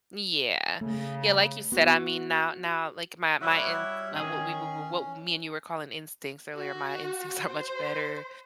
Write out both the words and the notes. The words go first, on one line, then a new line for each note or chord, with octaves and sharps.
Yeah. Yeah, like you said, I mean, now now, like, my my in now what we w were what me and you were calling instincts earlier, my instincts are much better
C#3 A3
B3 F#4
G3 E4 F#4 C#5 E5
D#3 C#4 G#4
F#4
C5